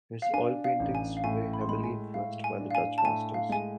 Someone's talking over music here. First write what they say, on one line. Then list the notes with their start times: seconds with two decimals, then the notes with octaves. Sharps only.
His oil paintings were heavily influenced by the Dutch Masters.
0.22 F5
0.34 D4 G#5
0.64 F5
0.80 A1
0.95 G#5
1.17 F5
1.24 A2 G#5
1.54 B5
1.61 C6
1.69 G#3 B5
1.84 G#5
2.14 A2 F5
2.44 G#5
2.59 D4
2.71 F5
2.75 G#5
2.98 A5
3.04 A2 G#5
3.34 F5
3.49 G#3 G#5